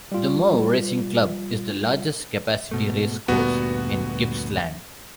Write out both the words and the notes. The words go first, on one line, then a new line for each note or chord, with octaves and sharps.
The Moe Racing Club is the largest capacity racecourse in Gippsland.
G3 F4
G#2 B2 A3
D2 G2 A#2 B3 F#4